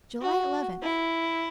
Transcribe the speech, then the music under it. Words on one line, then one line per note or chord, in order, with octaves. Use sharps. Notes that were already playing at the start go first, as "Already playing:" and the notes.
July Eleventh.
F#4
E4